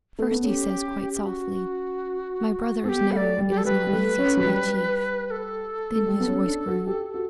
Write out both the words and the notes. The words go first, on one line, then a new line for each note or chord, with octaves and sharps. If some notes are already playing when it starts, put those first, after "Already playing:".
First he says quite softly, "My brothers know it is not easy to be a chief." Then his voice grew.
A3
B3
C#4 G4 A4
G4
F#4
B3 G4 A4
A3 D5 F#5
G3
G4
A4
G3 B4
G3
A3
C#4
F#3
G3
B4
A4
A3
G3
B3
C#4
D4
F#4
G4
F#4